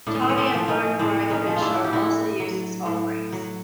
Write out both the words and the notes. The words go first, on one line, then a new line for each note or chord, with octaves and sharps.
Toddy and burnt dry fish are also used as offerings.
A2 D4
C#4
C4
B3 C#4
C4 D4
F3
C#4 D#4
A2 C4 D4
C#4 D#4
F3
F4
D4 E4
G4
A2 E4 F#4
F#3
A2
F#3